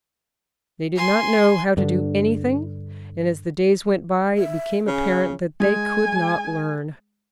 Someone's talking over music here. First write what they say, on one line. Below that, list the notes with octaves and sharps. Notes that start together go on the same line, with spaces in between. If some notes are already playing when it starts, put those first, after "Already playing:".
They did not know how to do anything, and as the days went by it became apparent that they could not learn.
G#5 C6
G2 D3
E5
C#3 G#5
G#3 G#5